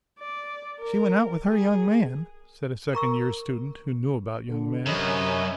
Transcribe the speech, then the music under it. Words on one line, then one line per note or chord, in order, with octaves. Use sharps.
"She went out with her young man," said a second-year's student, who knew about young men.
D5
A#4
G#4
A#4 A#5 C#6 E6
D3
F#2 C3 B4 C#5 D#5